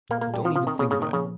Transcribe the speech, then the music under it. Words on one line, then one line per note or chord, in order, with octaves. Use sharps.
Don't even think about it!
A#2 A#3
A#3
A#2
G3
F3 C4
F3
C4
D#3
C#3 A#3
C#3
A#2
D#3
C#3 F3